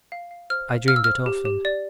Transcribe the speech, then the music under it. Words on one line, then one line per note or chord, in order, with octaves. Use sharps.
I dreamed it often.
F5
F5
C5 F6
F5
F5 F6
E6
C5 F6
G4
G4
D5